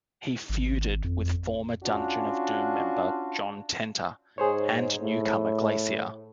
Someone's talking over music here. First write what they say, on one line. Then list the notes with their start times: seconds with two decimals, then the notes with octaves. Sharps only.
He feuded with former Dungeon of Doom member John Tenta, and newcomer Glacier.
0.49 G#1
1.04 F2
1.82 C#4 D4 F4 F#4
4.38 G#2 G#4 C5 C#5
5.00 A2